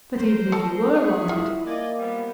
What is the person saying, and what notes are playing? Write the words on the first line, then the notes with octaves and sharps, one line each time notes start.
"But even if you were wanted--?"
A#4 C5
A4 A5
G#4 E5 F#5
E4 F4
A#3 D5 D#5 G#5
F3 G3 B3